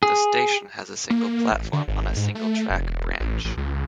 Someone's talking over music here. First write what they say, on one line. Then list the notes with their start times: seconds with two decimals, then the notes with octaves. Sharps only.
The station has a single platform on a single track branch.
0.03 G#4
1.10 A#3
1.52 A1
1.73 D3
1.88 G#1
2.17 G#2
2.35 A3
2.70 F1
2.88 E1
3.20 A1
3.45 A1
3.57 C#2